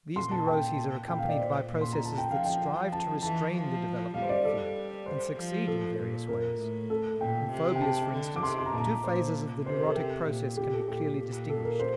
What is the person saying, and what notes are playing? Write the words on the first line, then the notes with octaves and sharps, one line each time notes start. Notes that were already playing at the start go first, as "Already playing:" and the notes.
These neuroses are accompanied by processes that strive to restrain the development of fear, and succeed in various ways. In phobias, for instance, two phases of the neurotic process can be clearly distinguished.
A#2 C6
A5
G5
A#2 G5
F5
D5
C5
A#2
C6
A#5
A5
G5
F3 F5
G5
A5
E3 A5
F3
G3 F5
C5
D5
A4
C5
F3
A4
A#2
A#4
A2
A4
A#2 G5
C3
G5
A5
D3
D6
C3 C6
C6
A#5
A#2 A5
A#5
A#2 C5
C3 C5
A#4
A4
G4
A#2
G4
A4
A#2 G4
A4
A#4
C5